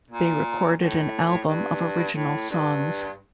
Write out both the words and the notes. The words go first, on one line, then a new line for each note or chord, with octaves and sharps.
They recorded an album of original songs.
A#2
A2
G2
A2
G2